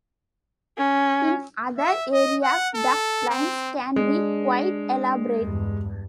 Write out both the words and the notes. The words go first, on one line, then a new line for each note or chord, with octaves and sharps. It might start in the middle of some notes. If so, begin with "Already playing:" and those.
In other areas duck blinds can be quite elaborate.
C#4
E5
D#5
F#5
A4
C4
G#3 D4
E2 G2